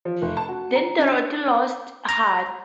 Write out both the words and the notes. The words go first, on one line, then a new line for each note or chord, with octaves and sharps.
Then Dorothy lost heart.
F3
F1
A5
F#4
A#5
D4
A#5